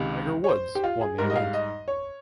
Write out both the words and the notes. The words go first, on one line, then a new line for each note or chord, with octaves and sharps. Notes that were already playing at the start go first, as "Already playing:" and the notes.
Tiger Woods won the event.
Already playing: C#2 C3 D#3
C#5
C5
G4
F4
G#4
G#2 G3 A#4
D#5
F5
D#5
C#5